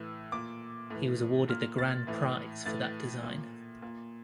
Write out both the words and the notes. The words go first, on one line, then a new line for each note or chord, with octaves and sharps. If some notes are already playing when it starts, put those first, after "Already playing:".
He was awarded the Grand Prize for that design.
Already playing: A2 E3 E6
A#2 D6
A2 E3
A#2 F6
A6
A2 E3
A2 E3 A6
A#2
A#2